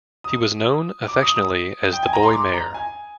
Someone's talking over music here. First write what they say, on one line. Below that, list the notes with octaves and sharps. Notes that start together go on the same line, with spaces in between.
He was known affectionately as the "Boy Mayor".
D#6
D6
D#6
D#6
G5
G#5
A#5
C6
D6
A#5
G#5